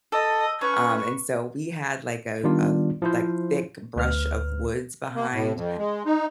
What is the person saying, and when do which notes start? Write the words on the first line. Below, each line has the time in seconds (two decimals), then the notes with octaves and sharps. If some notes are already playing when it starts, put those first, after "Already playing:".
um, and so we had like a a like thick brush of woods behind
0.12 A4 D#5
0.61 C#4 B4 C#6
2.44 D#3 G3 B3 D4 F4 D5
3.02 F3 E4 C5
3.96 D2 B4 F6
5.15 A#3
5.33 A2
5.55 F2
5.78 G#3
6.05 D#4